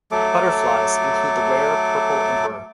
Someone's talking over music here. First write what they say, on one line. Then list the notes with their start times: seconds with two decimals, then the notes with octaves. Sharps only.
Butterflies include the rare purple emperor.
0.12 F#3 A3 A4 D6